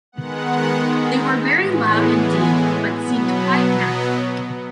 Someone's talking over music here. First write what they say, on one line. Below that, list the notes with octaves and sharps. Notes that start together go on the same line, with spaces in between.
They were very loud indeed, but seemed quite natural.
D#3 G#3 B3 F#5
A2 E3 G#3 B3
G#5
B2 F#3 B3 B5
A5
D#5